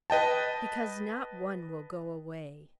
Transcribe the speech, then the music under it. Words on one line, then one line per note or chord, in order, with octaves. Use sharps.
"Because not one will go away."
B4 D#5 G5 A5